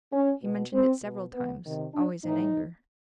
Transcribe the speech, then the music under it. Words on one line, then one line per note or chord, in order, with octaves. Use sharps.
"He mentioned it several times, always in anger."
C#4
B2
C4
B2
B3
C3 D#3
D4
A2 E3 D#4